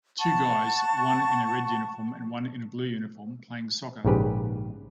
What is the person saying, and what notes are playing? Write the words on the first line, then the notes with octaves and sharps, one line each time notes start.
Two guys one in a red uniform and one in a blue uniform playing soccer.
F#5 A5 C#6
A#1 G#2 C#3 G4 B4